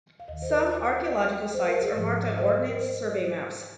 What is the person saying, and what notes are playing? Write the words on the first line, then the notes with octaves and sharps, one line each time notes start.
Some archaeological sites are marked on Ordnance Survey maps.
F5
D#2 D#3 D#5
C5
A#4
C5
D#5
C5
A#4
G#4
G#2 F3
D#5
C5
A#4
C5
D#5
D#5
C5